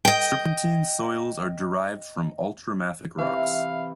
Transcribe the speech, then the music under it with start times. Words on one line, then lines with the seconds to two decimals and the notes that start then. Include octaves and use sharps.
Serpentine soils are derived from ultramafic rocks.
0.05 D#5 G5
3.18 C3 E3 F5